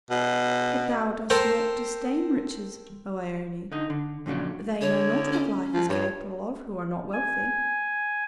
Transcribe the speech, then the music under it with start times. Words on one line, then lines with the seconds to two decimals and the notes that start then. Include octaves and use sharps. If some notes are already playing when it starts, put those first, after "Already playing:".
'But thou dost not disdain riches, O Ione! they know not what life is capable of who are not wealthy.
0.11 B2
1.30 A4 A#4 C5 G5 C6
3.72 D3 D#4
3.90 D3
4.26 F2 A#2 C#3 F#3 D4
4.81 D3 C#5
5.32 C#4
5.74 F3
5.89 G2 C#5
7.13 G#5